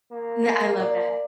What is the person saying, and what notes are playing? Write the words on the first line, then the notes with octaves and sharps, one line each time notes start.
Yeah, I love that.
A#3
D5